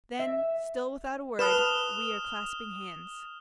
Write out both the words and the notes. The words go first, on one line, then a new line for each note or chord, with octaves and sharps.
Then, still without a word, we are clasping hands.
E5
B4 A5 D#6 F6 E7